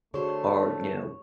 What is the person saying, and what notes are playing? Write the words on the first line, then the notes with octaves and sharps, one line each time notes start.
or, you know
D3 A3 F#4 G#4 C5 C#5